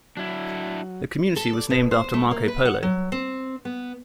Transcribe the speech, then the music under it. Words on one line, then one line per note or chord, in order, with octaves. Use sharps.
The community was named after Marco Polo.
F#3 D4 E4
A4
D5
B2
C5
A3
A#3
B4
F#5
F#3
C4
B3